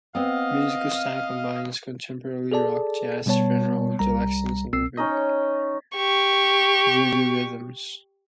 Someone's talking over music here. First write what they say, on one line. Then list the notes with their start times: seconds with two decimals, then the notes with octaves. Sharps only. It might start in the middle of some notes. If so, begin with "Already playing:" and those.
Musical style combines contemporary rock, jazz funerals, Dixieland and voodoo rhythms.
0.15 B3 C4 D#5 F5
2.52 G#4 A4 D5 A5
3.26 B2 G3 B3 C#5 A5
3.99 C2 G3 A#5
4.73 C2 C4 E6 C7
4.97 C#4 D#4 D#5
5.96 G4 C#6